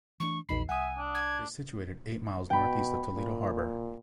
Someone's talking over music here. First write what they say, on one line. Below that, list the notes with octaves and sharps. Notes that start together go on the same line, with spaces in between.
It is situated eight miles northeast of Toledo Harbor.
E3 A3 D4 C#6
A#1 E2 D#4 B5 C7
C2 E5 F#5 G#5 D#6
D4
G#6
B2 G5 B5
A#2